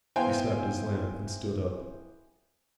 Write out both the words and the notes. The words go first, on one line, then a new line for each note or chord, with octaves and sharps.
He snapped his lamp and stood up.
B3 E4 C5 F5 G5 G#5